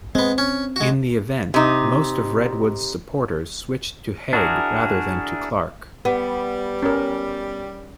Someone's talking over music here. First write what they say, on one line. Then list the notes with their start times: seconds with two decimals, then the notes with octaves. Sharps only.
In the event, most of Redwood's supporters switched to Hague rather than to Clarke.
0.15 G#3 B3 C4
0.38 C#4
0.76 G#3 F#4
1.54 C3 D#4
4.33 D4 E4 F#4 G#4 A#4
6.05 G3 B3
6.83 C#4 A#4